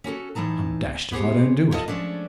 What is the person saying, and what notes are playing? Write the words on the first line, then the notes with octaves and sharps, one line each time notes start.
'I'm dashed if I don't do it.
C#4 F#4 G4 A4
A2 E3 A3 D#4 A5
B3 G4 G#4 C5 C#5
E4 F4 A4 D#5
F3 G#3 A3 C#4 D4